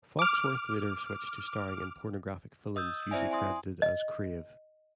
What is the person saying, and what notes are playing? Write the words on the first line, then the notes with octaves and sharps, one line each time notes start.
Foxworth later switched to starring in pornographic films, usually credited as "Crave".
D6 F6
D#5 D#6 E6 G6
C4 E4 C5 D5 E5 G#5
G#5 C6 D#6
D#5